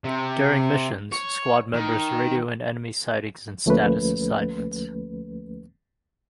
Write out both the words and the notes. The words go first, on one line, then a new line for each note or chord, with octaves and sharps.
During missions, squad members radio in enemy sightings and status assessments.
C3
C#5
D#3
D2 F3 A3 A#3 C#4 B4